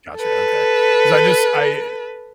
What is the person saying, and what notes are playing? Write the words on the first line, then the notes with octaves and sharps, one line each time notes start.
Gotcha, okay, 'cause I just I
A4 B4